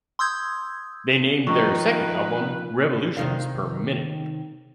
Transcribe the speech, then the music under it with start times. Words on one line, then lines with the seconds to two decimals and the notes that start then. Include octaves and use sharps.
They named their second album "Revolutions Per Minute".
0.19 C6 D#6 E6 G6 G#6
1.47 D#3 F3 B4 C#6
3.17 C3 D#3 F5